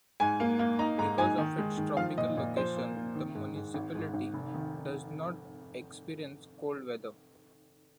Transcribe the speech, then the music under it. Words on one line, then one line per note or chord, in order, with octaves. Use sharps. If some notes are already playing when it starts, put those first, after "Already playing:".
Because of its tropical location the municipality does not experience cold weather.
G#2 G#5
A#3
A#3
D#4 A#5
G#2 A#5
G#2 G#5
D#3
G#3
D#3
F3 F5
A#2 D#5
A#2
F3 C5
A#3
A#3
D#3
G#2
G#2
G#1
G#2
G#1
F1
D#3